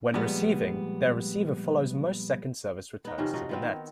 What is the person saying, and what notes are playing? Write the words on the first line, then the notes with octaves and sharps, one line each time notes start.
When receiving, their receiver follows most second-service returns to the net.
A#2 F3 G3 G#3 B3
B3 D#4
C3 D#3 F3 C#4
F3 D#4 F#4
F3 B3 C4
D#3